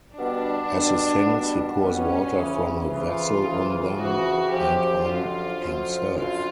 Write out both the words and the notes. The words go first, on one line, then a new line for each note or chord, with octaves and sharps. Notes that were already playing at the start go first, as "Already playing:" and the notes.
As he sings he pours water from a vessel on them and on himself.
B2 G3 B3 D4
B2 G3 B3
B2 G3 B3
B2 G3 B3 C#4
F2 C#3 E3
F2 C#3 E3 F4
F2 C#3 E3
F2 C#3 E3 F#4
F#2 D3 F3 G4
F#2 D3 F3 F4
F#2 D3 F3
F#2 D3 F3 F4